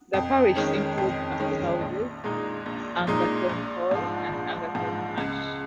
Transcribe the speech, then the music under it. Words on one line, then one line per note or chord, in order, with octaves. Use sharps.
The parish includes a few houses, Angerton Hall, and Angerton Marsh.
F2
D#3 G#3 C#4
F2
D#3 G#3 C#4
A#1
A#2 G#3 D#4
A#1
A#2 G#3 D#4
A#1
G#2 F3
A#1
G#2 F3
C#2